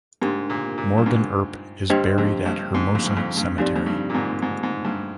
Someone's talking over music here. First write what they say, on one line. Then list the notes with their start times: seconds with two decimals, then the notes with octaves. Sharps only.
Morgan Earp is buried at Hermosa Cemetery.
0.22 G#2 D4 G4 A#4
0.50 A#2
0.78 A#2
0.98 G2
1.06 G#2
1.90 G2 D4 G4 C5 D#5 G5
2.18 F2
2.46 G2
2.74 G#2
2.95 F2
3.06 G2
3.17 F2
3.37 G2
3.58 F2 C4 D#4 G4 D5
3.76 F2
3.86 G2
4.10 A#2
4.14 G#2
4.42 G#2
4.63 G#2
4.85 G2